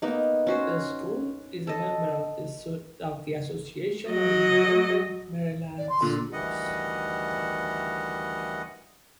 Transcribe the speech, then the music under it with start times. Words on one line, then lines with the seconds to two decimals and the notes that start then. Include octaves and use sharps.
The school is a member of the Association of Independent Maryland Schools.
0.02 A#3 B3 D#4
0.47 C#4 F#4 C5
1.67 A4 D#5
4.09 F#3 D#5
5.78 D5
5.89 C6
6.02 A#2 D3 F4
6.33 D2 D#3 E3 G3 D#5 F#5